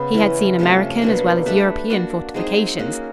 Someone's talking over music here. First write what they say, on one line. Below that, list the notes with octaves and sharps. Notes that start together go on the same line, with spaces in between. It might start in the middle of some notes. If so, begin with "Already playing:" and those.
He had seen American as well as European fortifications.
Already playing: C#3 B3
E3 G#3 C#4
C3 F3 A3 C#4
B2 F#3 A#3 D4
A3 D4 G4 B4
A#3 D4 F#4
G#3 C4 D#4 G#4
A#3 C#4 F#4